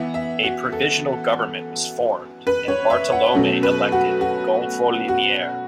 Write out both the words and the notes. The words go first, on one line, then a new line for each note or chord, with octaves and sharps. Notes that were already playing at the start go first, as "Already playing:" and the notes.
A provisional government was formed and Bartolommei elected "gonfaloniere".
Already playing: E3 B3 E5
E5
F#4
A4
B4
C#5
E5
F#5
B2 F#3 A3 C#4
B4
F#4
F#4
F#4